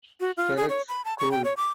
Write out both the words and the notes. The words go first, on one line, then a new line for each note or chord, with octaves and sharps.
Peretz School.
F#4
F4
G#4
C#5
B5
A5
C#6
G5
C#5
D6